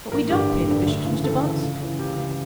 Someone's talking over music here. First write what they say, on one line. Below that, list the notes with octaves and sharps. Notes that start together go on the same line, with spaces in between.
"But we don't pay the bishops, Mr. Bunce."
A1 A#4
G2 D3 G4
A1
G2 D3
D2
C#3 E3
D2 A4
C#3 E3
C#2
C#3 E3
C#2 G4
C#3 E3